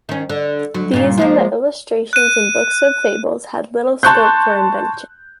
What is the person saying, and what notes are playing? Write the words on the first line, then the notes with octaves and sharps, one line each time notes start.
These and the illustrations in books of fables had little scope for invention.
D#3 C#4
D3
D2 F#3
G2 A#2 C#3
F3 G#3 A#3
F#6 D#7
A5 C6 C#6 F#6 G6